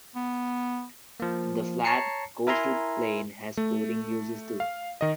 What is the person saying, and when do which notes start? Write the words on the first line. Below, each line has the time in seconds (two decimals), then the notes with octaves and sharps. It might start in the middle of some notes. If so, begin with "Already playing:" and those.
The flat coastal plain had sporting uses too.
0.16 B3
1.20 F3 A#3
1.85 C#5 A5 A#5 C7 C#7
2.47 E4 A#4 E5 G#5 A#5 C6
3.57 A3
4.60 F5
5.01 D#3 D#5